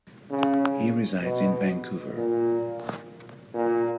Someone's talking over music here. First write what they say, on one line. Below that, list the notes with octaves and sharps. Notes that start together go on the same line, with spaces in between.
He resides in Vancouver.
C#3
B2
A#2
A#2